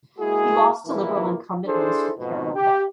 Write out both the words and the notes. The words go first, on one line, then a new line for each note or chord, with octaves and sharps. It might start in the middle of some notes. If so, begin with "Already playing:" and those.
He lost to Liberal incumbent Minister Carolyn Bennett.
G#3 A#3 E4 F#4 G#4
B1 F2 G#2 E3 A#3 E4
D4 E4 G#4 A4 C5
F2 G#2 B2
G4